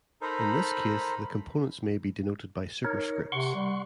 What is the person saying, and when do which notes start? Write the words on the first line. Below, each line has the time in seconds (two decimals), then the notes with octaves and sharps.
In this case, the components may be denoted by superscripts.
0.22 D#4 A4 A#4 C5 B5
2.85 D#4 A#4 C#5
3.32 C3 F#5 C6 C#6
3.55 G3